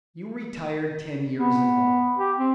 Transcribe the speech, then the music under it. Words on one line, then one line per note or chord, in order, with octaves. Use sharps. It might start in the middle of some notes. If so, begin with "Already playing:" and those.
You retired ten years ago.
B3
G4
C4